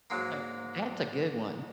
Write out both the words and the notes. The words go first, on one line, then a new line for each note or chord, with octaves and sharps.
No that's a good one.
G#2 F#3 G#3 A#3